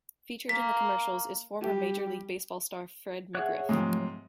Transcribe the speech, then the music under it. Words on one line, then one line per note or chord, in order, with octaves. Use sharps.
Featured in the commercials is former Major League Baseball star Fred McGriff.
A#3 B6
G3 G4
G#4 C#5 E5 F#5 F#6
G#2 C3 F3 F#3 A3